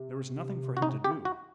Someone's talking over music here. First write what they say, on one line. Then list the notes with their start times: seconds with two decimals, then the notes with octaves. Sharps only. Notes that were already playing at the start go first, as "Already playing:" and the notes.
There was nothing for him to do.
Already playing: C3
0.77 F#4
0.82 D#4
1.04 G4
1.25 F#4